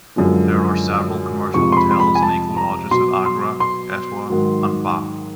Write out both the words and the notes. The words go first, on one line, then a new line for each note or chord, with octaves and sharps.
There are several commercial hotels and eco lodges at Agra, Etawah and Bah.
F#2 D3 F3 G#3
F2 C3 F3 G#3 C#6
C6
B5
C6
B5
G#5
A5
A#5
B2 F#3 C6
C6
C6
G#2 D#3 F#3